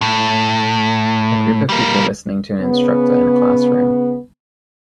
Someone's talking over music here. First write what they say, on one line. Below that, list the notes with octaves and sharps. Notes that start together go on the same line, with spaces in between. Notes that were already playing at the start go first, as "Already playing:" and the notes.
A group of people listening to an instructor in a classroom.
A2
G3 A#3
C#3 B3